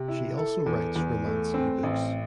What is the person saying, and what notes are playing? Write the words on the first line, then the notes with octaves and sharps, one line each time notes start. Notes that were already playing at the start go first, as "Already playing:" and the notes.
She also writes romance ebooks.
Already playing: C3
E4
A4
E2
E2
A3
C4
A1